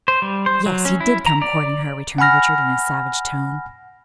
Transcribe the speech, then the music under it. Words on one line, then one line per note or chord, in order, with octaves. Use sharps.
"Yes, he did come courting her," returned Richard, in a savage tone.
C5
G3
C5
F#3
C#4
E4
A#5
D5
F#5 G#5 B5 F6 A#6